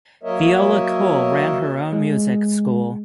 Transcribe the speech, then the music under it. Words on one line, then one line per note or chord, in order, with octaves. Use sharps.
Viola Cole ran her own music school.
F#3 A#3 A#4 C#5 D#5 E5
G#3